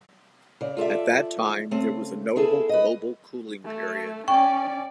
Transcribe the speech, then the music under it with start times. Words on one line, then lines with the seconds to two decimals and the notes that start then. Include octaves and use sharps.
At that time, there was a notable global cooling period.
0.61 C#3 D5
0.77 F4 A4 D5 E5
1.71 C#3 A3 C4
2.36 B3 E4 G#4 A4
2.69 B4 D#5
3.65 A3
4.28 C#4 D5 G5 C#6